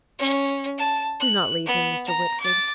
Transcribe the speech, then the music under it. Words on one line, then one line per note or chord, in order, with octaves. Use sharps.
"Do not leave him, Mr. Whitford."
C#4
A5
F#6
B3
A#5
D6 A6